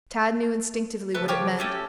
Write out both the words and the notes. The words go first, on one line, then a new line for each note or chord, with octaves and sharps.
Tad knew instinctively what it meant.
C#3 F3 A3 B4
F4 G4 C#5
A3 C#4 G4 A4